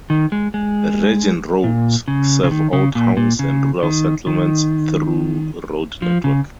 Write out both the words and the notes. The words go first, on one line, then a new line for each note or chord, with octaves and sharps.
Region roads serve all towns and rural settlements through road network.
D#3
G#3
G#3
A#2
C#3
C#3
D#3
C#3
A#2
A#2
C#3
D#3
D#3
F3
C#3